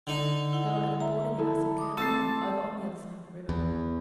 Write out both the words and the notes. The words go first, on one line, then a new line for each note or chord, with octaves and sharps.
They were at a boarding-house at Camberwell, over on the other side of the river.
D3 D#4
E4 F#5
E5 A#5
E4 A4
D6 D#6
A3 C4 A5 E6 A6 C7
E2